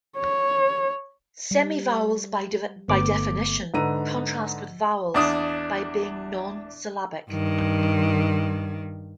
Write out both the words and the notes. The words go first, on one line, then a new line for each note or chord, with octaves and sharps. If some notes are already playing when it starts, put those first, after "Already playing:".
Semivowels, by definition, contrast with vowels by being non-syllabic.
C#5
G3
G1 A3 B3 D6
G#2 D3 B4 A#5 E6 D#7
E2 D4 D#6
G2 D#3